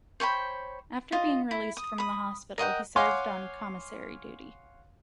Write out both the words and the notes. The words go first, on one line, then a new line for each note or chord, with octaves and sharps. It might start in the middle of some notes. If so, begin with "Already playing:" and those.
After being released from the hospital, he served on commissary duty.
C5 C#5 G5 B5
F4 D#5
E4
D#6
B5 D#6
A#4 D#5 F#5 G5
C#5 F5 F#5 G#5 C6 D6